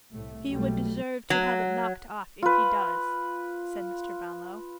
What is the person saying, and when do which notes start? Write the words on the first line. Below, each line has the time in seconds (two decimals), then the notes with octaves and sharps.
'He would deserve to have it knocked off, if he does,' said Mr. Brownlow.
0.13 C2 A2 A3
0.47 B1 F#3 G3 A3
1.30 F#3
2.42 F4 B4